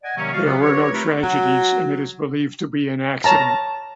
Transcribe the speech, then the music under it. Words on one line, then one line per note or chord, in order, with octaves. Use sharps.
There were no tragedies and it is believed to be an accident.
D5 D#5 F#5 G#5
C3 D#3 F#3 A#3 C#4
F#4 D5 D#5 F5
C#3 F#3 B3
G4 A#4 B4 C#5
A3 C4 D#4 F4 A#4 B4
F#3
C#5 A5 A#5